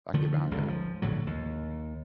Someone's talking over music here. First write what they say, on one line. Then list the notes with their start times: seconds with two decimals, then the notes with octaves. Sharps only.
I can get behind that."
0.14 D3 D#3 F3 A3
0.51 G1 C#2 G#2 D3
0.69 F3
1.02 A#1 A2 D3 F#3
1.27 D#2